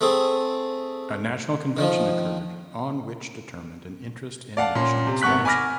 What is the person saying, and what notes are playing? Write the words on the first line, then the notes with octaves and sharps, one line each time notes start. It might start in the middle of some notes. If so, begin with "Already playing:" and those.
A national convention occurred on which determined an interest in national expansion.
A3 C4 G#4
D#3 F3
D5 F5 F#5 A5
A#2 C#4 C6
C3
G#1 B3 C#6 F#6 B6
G#5 B5 D6 F6 A#6